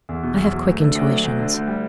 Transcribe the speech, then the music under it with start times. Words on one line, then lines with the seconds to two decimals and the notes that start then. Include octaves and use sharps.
I have quick intuitions.
0.09 E2
0.23 B2
0.37 E2
0.52 F#3
0.67 D2
0.81 D3
0.95 D2
1.09 F#3
1.24 D2
1.39 D3
1.54 D2
1.67 G3